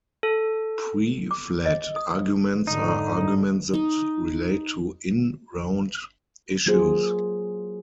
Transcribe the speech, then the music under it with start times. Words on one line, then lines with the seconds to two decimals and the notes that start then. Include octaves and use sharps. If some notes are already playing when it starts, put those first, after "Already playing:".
"Pre-fiat" arguments are arguments that relate to in-round issues.
0.23 A4
1.31 D6
1.65 D#5
1.96 D#6
2.67 G#2 D3 D#4
3.74 D#4
6.66 F#3 A#3 F4 G#4 C5